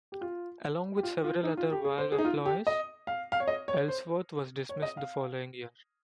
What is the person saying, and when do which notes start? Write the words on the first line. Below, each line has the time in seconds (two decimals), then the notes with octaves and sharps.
Along with several other Valve employees, Ellsworth was dismissed the following year.
0.12 G4
0.21 F4
0.97 G4
1.03 F4
1.24 F4
1.43 D#4
1.57 F4
1.72 G4
1.85 G#4
1.98 C5
2.12 G#4
2.19 D#4
2.25 F4
2.46 G4
2.67 D#5
3.07 F5
3.32 F5
3.40 C#5
3.48 D#5
3.68 C#5
3.88 C5
4.69 C#5
4.82 D#5
4.97 F5